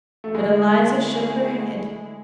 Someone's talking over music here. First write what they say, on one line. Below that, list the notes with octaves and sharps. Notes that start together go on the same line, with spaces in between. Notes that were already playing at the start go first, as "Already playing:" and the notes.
But Eliza shook her head.
A3
D3 G#3 A3 E4 G#4